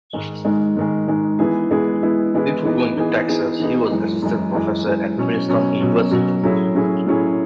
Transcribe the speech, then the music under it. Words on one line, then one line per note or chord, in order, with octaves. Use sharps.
Before going to Texas, he was assistant professor at Princeton University.
G#2 D#3 G#3
G#2 D#3 G#3
G#2 D#3 G#3
G#2 D#3 G#3
E3 G#3 B3 E4 G#4
E3 G#3 B3 E4 G#4
E3 G#3 B3 E4 G#4
E3 G#3 B3 E4 G#4
E3 B3 D#4 G#4
E3 B3 D#4 G#4
E3 B3 D#4 G#4
E3 B3 D#4 G#4
F#2 E3 G#3
F#2 E3 G#3
F#2 E3 G#3
F#2 E3 G#3
B2 F#3 C#4
B2 F#3 C#4
B2 F#3 C#4
B2 F#3 C#4
A2 F#3 C#4 E4 G#4
A2 F#3 C#4 E4 G#4
A2 F#3 C#4 E4 G#4